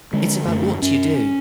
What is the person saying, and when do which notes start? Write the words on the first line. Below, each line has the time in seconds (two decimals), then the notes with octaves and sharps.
It's about what you do.
0.13 D3 G#3
0.47 F#2 A3
0.82 F#2 C#4